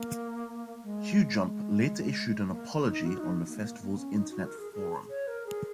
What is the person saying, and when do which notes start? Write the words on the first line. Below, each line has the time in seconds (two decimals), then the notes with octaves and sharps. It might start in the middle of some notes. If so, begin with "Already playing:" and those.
Qjump later issued an apology on the festival's Internet forum.
Already playing: A#3
0.84 G#3
1.39 G#3
2.50 A#3
2.87 D#4
3.06 F#4
3.19 D#4
3.48 A#3
3.56 G#3
3.61 A#3
3.80 A#3
3.98 C#4
4.17 D#4
4.30 F#4
4.45 A#4
4.58 G#4
4.73 G#4
5.10 C#5
5.27 A#4
5.46 G#4